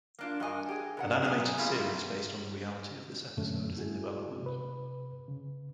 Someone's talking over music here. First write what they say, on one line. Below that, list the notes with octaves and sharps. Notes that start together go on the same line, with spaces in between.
An animated series based on the reality of this episode is in development.
A#3 D4 F4
G2 F#4 A#4 D#5 G#5
G4 G#4
C3 B4 F#5
F#3 G#4 B4 C5 G#5
F#2 B2 G3 A#3 E4 F4
F#2 A#2 D3 A3 C#4
E4 F#4 G#4
C3 B4
C#3